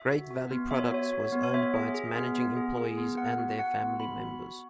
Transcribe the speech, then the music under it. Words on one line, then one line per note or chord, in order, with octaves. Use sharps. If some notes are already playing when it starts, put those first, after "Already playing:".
Great Valley Products was owned by its managing employees and their family members.
Already playing: E5
F#4
F#4
B3
B3 E5
C#5
F#4 C#5
F#4
B3
C#5
B3 E5
G#4
G#4
B3
B3
G#4
G#4
B3
B3 F#5
F#4
F#4 F#5
B3
B3 B5
F#4
F#4